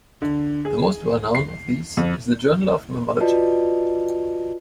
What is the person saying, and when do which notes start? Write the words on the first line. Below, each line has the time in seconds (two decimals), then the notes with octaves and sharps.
The most well known of these is "The Journal of Mammalogy".
0.22 D3
0.65 G#4
1.35 C7
1.97 F2
3.20 F4 F#4 B4 D5 D#5 A5